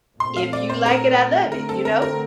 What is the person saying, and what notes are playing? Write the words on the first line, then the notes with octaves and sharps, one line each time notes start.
"if you like it, I love it." You know?
A#2 A3 C4 C6
F5
D5
C5
A#4
D3 A3 C4 A#4
A4
A#4
A#4